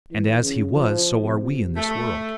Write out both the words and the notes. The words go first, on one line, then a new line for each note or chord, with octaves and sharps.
And, as He was, so are we in this world.
E3
C#3
F3
C3
A3